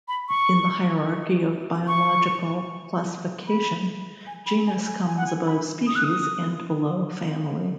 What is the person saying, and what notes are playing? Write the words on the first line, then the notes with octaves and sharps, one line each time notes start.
In the hierarchy of biological classification, genus comes above species and below family.
B5
C#6
C#6
B5
G#5
B5
G#5
G#5
G#5
F#5
G#5
B5
D#6
F#6
D#6